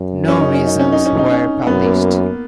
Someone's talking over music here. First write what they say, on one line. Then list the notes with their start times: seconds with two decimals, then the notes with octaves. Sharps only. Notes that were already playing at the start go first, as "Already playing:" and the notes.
No reasons were published.
Already playing: F#2
0.28 C#4
0.41 D#4
0.54 C#4
0.67 D#4
0.79 C#4
0.92 D#4
1.05 C#4
1.19 D#4
1.31 C#4
1.67 F#2 B3
1.84 A#3